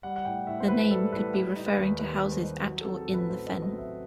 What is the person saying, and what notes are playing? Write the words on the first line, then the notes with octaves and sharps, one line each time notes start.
The name could be referring to houses at or in the fen.
G3 F#5
F#5
A2 G5
A2 E5
C5
E3 B4
G3 A4
A2 B4
G3 B4
D#4
B4
D#2
D#3 B4
G3
C5
D#4
F#3
A4
C4
A4
A1
B4
A2 C5
F#3 D#5
D#5
C4
E5